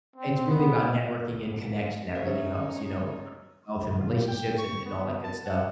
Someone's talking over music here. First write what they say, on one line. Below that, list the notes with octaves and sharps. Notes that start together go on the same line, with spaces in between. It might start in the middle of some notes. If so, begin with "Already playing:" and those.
it's really about networking and connection that really helps, you know, build wealth and relationships and and all that good stuff.
C4
B3
C#4 D#4 C5 C#5 E5
F4
G4
G5
C#6
B3
A5
F#5